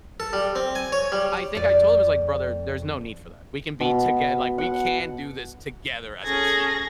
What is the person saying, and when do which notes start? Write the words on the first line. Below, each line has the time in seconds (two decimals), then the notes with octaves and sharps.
I think I told him, I was like, "Brother, there's no need for that. We can be toge like, we can do this together as a team.
0.20 A4
0.33 G3
0.56 C4
0.75 G#5
0.92 C#5
1.12 G3
1.55 F2 D5
3.81 B2
4.58 F#5
6.23 C#4 G#4 A4 G#6 A#6